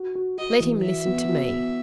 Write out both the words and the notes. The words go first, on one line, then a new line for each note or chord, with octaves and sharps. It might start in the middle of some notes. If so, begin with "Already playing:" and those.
Let him listen to me.
Already playing: F#4
F#4
F#4 D#5
E3
F#4 E5
B3
F#4
B3